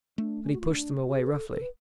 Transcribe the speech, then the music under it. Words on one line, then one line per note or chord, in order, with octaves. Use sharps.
But he pushed them away roughly.
A3 D4
C#4
F#4
F4
D4
F#4
G#4
B4
A4
A4
B4